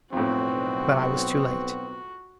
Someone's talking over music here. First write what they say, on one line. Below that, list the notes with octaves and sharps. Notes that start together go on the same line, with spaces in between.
But I was too late.
B1 F2 A2 B3 C4 F#4